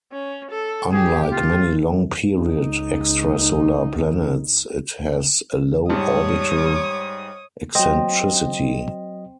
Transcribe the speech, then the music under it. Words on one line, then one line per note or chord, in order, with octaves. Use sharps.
Unlike many long-period extrasolar planets, it has a low orbital eccentricity.
C#4
A4
G4 G#4
F4
C#2 D#4
G#2 G3 C#5 A5 D#6
F#3 C4 D#5